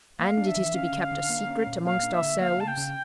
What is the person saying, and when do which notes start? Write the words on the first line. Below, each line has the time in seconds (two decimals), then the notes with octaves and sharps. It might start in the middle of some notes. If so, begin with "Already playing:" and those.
"And it is to be kept a secret amongst ourselves?"
0.19 A#3 F5
0.37 D4
0.47 E5
0.56 E3
0.74 C#4 F5
0.92 D3
1.11 D3
1.29 A#3
1.48 C#4
1.66 A#2
1.85 A#3 F5
2.03 D4
2.13 E5
2.22 D3
2.40 A#3 F5
2.59 C#3 A5
2.68 G5
2.77 C#3